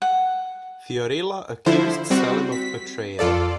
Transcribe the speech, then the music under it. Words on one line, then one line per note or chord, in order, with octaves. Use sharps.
Fiorilla accuses Selim of betrayal.
F#5
D3 F3 E4 C5
G3 C4 F#4
B6
F2 F4 A4 D5